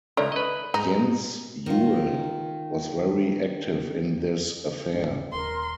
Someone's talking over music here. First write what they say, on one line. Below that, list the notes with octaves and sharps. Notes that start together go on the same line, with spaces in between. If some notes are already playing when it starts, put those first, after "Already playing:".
Jens Juel was very active in this affair.
C#2 D#3 A3 A4 D5 A#5
B4 D#5
G#2 D#4
D#3 F4
E1 G#2 C#4
D#1 A#4 C6